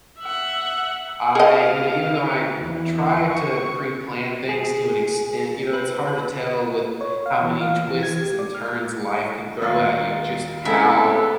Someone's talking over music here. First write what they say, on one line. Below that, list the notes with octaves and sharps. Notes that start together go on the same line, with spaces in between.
I you know, even though I try to pre-plan things to an extent, you know, it's hard to tell with how many twists and turns life can throw at you, just how,
E5 F#5
G#4 D#5 F5
E2
C#6
G#4
B4
C#5
F5
E3
F5
E3
G#6
G4
D5
F6
D#2 A#2 F5
C#2 B3 C4 E4 A4